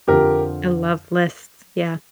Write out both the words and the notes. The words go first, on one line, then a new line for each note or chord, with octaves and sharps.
I love lists. Yeah.
F2 D3 F3 G4 A#4